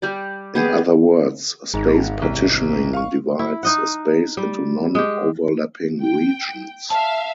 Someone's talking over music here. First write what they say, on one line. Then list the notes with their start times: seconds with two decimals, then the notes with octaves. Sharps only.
In other words, space partitioning divides a space into non-overlapping regions.
0.02 G3 G4 D5
0.55 B3 G4 G#4
1.74 G#1 G#2
2.22 C2
2.93 F5 C#6
3.39 E4
3.63 D#4 D#5 F#5
4.37 G3
4.95 G#3 G4
6.02 G5
6.90 E5 F5 A5